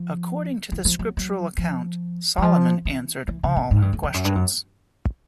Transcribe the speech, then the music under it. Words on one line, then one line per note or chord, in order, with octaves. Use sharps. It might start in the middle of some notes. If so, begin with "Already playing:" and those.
According to the scriptural account, Solomon answered all her questions.
Already playing: F3
E3
F3
F#3
F#3
F3
E3
F3
E3
E3
C#3
A#2
G#2
G2
F2
F2
F#2
G2
F#2